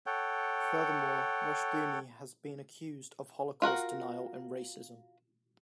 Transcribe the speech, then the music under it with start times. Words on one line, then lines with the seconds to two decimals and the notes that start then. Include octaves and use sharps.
Furthermore, Rushdoony has been accused of Holocaust denial and racism.
0.06 A4 C#5 F#5 G5
3.62 F4 F#4 A#4 F#5